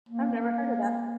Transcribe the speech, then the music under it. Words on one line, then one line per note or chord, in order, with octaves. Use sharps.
I've never heard of that.
A#3